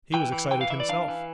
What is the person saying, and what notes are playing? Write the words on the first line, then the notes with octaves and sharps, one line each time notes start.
He was excited himself.
E3 G5
E3
E3 G5
F5
E3 E5
D5
D4 F5
E3